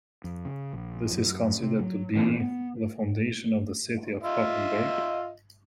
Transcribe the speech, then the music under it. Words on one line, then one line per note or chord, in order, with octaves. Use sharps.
This is considered to be the foundation of the city of Papenburg.
F2
C#3
A#1
F#2
C3
F#3
E3
B3
F4 D#5 E5